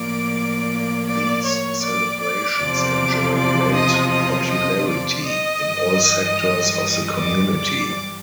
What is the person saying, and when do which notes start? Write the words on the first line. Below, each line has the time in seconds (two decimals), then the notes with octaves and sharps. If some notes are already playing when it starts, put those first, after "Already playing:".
These celebrations enjoy great popularity in all sectors of the community.
Already playing: A2 F3 A#3 D5 D6
1.06 D5 D6
1.45 C#5 C#6
1.83 D5 D6
2.21 D5 D6
2.59 E2 C3 F3
3.35 D5 D6
3.74 D#5 D#6
4.11 D#5 D#6
4.49 D#5 D#6
4.88 D5 D6
5.26 D#5 D#6
5.64 G2 E3 G3
7.17 D5 D6
7.55 D5 D6